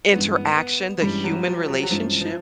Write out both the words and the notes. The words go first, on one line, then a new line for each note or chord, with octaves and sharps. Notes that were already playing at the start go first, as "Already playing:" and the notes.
interaction, the human relationship?"
G2 E3 G#3 B3 C#4
B3
B3
G2 E3 G3 G#3 C#4
F#3
F3
F#3
F#3
G2 E3 F3 G#3 C#4
F3